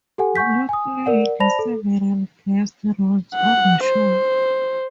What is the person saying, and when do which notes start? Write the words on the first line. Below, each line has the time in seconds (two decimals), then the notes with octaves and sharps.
Buller played several guest roles on the show.
0.18 G4 A4 F#5 G#5
0.36 F#5 G#5 C#6 G6 B6
0.69 G#5 D#6
1.06 A#4 D5 F#5
1.40 C5 D5 A5 B5 A#6 F7
1.59 A4
3.35 F#5
3.85 C5